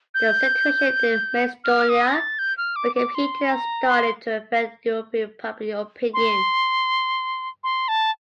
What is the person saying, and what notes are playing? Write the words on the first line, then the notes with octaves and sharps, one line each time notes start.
The situation in Macedonia became heated and started to affect European public opinion.
G6
F6
D#6
A#6
A6
G6
F6
D6
D6
C6
A#5
C6
C6
C6
A5